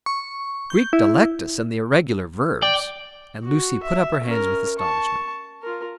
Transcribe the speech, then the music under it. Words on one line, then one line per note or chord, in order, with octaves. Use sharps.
"Greek Delectus and the irregular verbs!" And Lucy put up her hands with astonishment.
C#6
G6
E4
D5 G5
F#4
E5
C#4 A#4
A5 C#6
F4 A#4